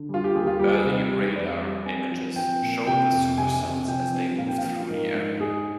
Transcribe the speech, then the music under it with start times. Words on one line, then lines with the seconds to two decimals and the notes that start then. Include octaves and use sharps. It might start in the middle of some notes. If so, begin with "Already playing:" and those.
Early radar images showed the supercells as they moved through the area.
Already playing: D3
0.09 G3 F4
0.24 G4
0.34 D#2 G#4
0.47 F4
0.59 G3 G4
0.72 G#4
0.85 C3
1.11 G3
1.36 F2 D5
1.61 G3
1.86 C4 G#5
2.11 F3
2.36 C4 G5
2.62 A#2
2.87 C3 G5
3.12 F2
3.38 C3 G#5
3.63 C3
3.88 F3 G5
4.14 C4
4.38 A#2 F5
4.48 G5
4.58 F5
4.64 F3
4.90 G#2 A#4
5.15 G#2
5.40 G#2 G#4